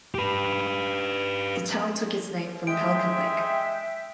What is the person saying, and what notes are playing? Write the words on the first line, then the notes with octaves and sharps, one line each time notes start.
The town took its name from Pelican Lake.
G4 B4
G#3 E5 G5 D7